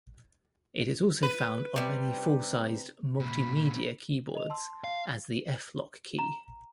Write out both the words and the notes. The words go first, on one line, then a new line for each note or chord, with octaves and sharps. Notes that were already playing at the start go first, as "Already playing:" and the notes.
It is also found on many full-sized "multimedia" keyboards as the F-Lock key.
B4
C3 G3
A#2 C#3 B5
D#5 F7
A5 C6 E6
F5
A#5